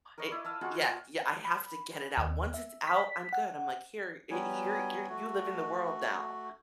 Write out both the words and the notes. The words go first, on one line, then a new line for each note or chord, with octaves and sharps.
It yeah, yeah, I have to get it out, once it's out, I'm good. I'm like, "Here, it you're you're you live in the world now."
A#4 B4 C#5 D#5
E4 D5
D#5 F5 A5 E6
F4 F#4 G#4 F#5
A5
B5
D#2
E5
B6
F#5
F#3 G3 B3 G#5
A3 F#4